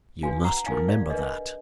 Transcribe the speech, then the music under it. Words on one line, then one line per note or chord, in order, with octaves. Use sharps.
You must remember that....
D4 F#4 B4 F5 G#5
F#5 A#5
D#4 A#4 F5 G#5
D5 F5
D4 G#4 B4 D#5